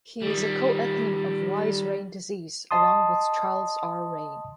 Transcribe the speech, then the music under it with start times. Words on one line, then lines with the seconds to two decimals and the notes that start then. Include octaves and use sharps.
He is a co-eponym of Wise-Rein disease along with Charles R. Rein.
0.22 D#3 G3
2.71 D#5 A5 C6 D#6